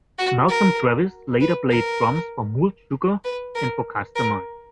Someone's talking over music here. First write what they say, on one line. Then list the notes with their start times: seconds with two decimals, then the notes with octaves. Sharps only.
Malcolm Travis later played drums for Mould's Sugar, and for Kustomized.
0.19 F#4
0.49 A#4
1.41 B4
1.71 A#4
3.25 B4
3.55 A#4
4.16 A#4